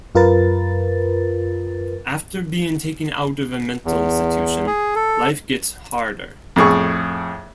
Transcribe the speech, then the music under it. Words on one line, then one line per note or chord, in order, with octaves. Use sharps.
After being taken out of a mental institution life gets harder.
F#2 F4 A#4 B4 A6
E2
G#4
A4
F2 A2 G#4 C#6